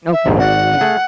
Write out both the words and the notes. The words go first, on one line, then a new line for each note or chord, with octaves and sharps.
Okay, yeah.
E5
A#1 D#2 G#2
G#1 F#4 D5 F#5
A3 G#4